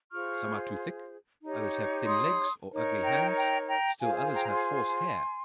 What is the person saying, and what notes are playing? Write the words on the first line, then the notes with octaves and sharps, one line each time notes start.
Some are too thick; others have thin legs or ugly hands; still others have false hair.
F4 G#4 C5 C#6 F6
D#4 G4 C#5
C6 D#6
D#4 A#4 C#5
G5 A#5
G5 A#5
G5 A#5
F4 G#4 C5 F5 G#5
F5 G#5
G5 A#5
A#5
G#5 C6